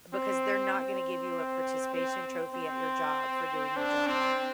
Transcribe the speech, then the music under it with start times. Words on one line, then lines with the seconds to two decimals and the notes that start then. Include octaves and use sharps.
because they're not gonna give you a participation trophy at your job for doing your job.
0.13 C4
0.73 C4
1.94 C4
2.55 C4
3.76 D4
4.06 C4